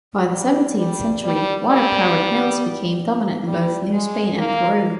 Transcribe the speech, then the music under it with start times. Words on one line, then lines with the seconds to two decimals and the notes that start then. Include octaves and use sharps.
By the seventeenth century, water-powered mills became dominant in both New Spain and Peru.
0.33 G3
0.78 G3
1.23 G3
1.67 G3
3.47 G3
3.92 G#3
4.37 A#3